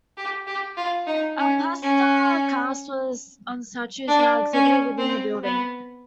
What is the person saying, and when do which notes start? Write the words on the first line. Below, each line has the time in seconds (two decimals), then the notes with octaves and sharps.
A plaster cast of the statue is now exhibited within the building.
0.18 G4
0.47 G4
0.77 F4
1.07 D#4
1.38 C#4
1.83 C#4
4.08 D4
4.53 C#4
4.98 C4
5.43 B3